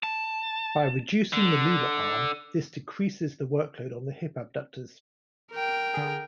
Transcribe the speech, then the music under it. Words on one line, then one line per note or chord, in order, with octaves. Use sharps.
By reducing the lever arm, this decreases the work load on the hip abductors.
A5
D3
A#4 G5
D3 G#4